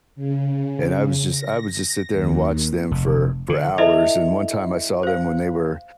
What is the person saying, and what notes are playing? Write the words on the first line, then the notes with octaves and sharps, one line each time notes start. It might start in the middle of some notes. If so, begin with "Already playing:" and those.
and I would just I would just sit there and watch them for for hours, and one time I saw them when they were
C#3
A#6
D#2
F1
D3
E4 A4 D#5 E5 F7
C5 F5